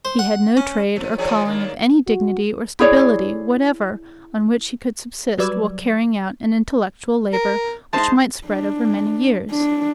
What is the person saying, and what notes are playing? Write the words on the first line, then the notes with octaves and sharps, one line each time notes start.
He had no trade or calling of any dignity or stability whatever on which he could subsist while carrying out an intellectual labour which might spread over many years.
C5
F#5
C#4
F3
D#3 F3 G#4 C#5 D5
D#2 A#3 D4
F#4
E4 G#4 C#5 D5
F#3 G3 B4 D5 E6 G#6
A#4
G#3 D#4 C5 A5
D4
D4